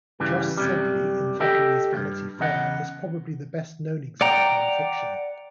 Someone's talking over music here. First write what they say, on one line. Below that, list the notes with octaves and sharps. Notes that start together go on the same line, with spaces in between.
Jos Sedley in Thackeray's "Vanity Fair" is probably the best known example in fiction.
G2 C#3 E3 G3
F#2 C3 G3
G4 A4 D#5 G5
D2 G2
E2 C#3 D#5 F#5
D5 F#5 G5 A#5